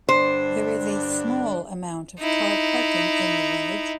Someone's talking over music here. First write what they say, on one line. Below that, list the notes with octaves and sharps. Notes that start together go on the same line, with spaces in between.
There is a small amount of car parking in the village.
G2 D3 D4 C5
D#4 E4